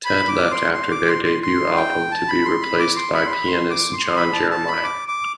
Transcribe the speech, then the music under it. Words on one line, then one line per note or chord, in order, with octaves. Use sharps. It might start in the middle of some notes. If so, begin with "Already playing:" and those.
Ted left after their debut album to be replaced by pianist John Jeremiah.
B5
D6
C6
C6
D6
C6
C6
C6
G5
A5
B5
C6
B5
D6
C6
B5
C6
B5
C6
D6
C6
B5
A5
A5
B5
D6
D6